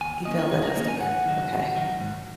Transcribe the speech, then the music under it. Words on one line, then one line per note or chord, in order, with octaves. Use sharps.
He failed that test again okay.
D#2 G#5
D#3 A#3 C#4 D#5
C#5
D#2 G#4
A#4
D#3 A#3 C#4 C#5
G#5
G#2 F#5
D#3 F#3 D#4
G#2
D#3 F#3 D#4
G#2